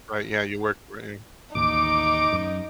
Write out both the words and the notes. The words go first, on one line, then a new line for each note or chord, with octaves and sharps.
Right, yeah, you work for him.
A1 D#2 D#4 D6
F#2